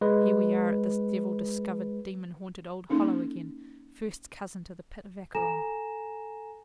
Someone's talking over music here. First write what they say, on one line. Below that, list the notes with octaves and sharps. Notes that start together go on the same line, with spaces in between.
Here we are at this devil-discovered, demon-haunted old Hollow again--first cousin to the pit of Acheron.
G#3 B4
A#3 C#4 D#4 A4
A4 G#5 A#5 A#6 E7